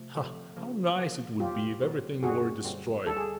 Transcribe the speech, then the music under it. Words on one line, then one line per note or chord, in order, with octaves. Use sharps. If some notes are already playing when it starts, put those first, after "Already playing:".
Ah, how nice it would be if everything were destroyed!
Already playing: C3 F3 A3
C3 F3 A3
C#3 F3 A#3
C#3 F3 A#3
E2 B2 F#3 F4 G4
E2 B2 F#3
F#2 D3 G3 C4 F#4 G#4
F#2 D3 G3 C4
D2 D3 G3 A4
G#4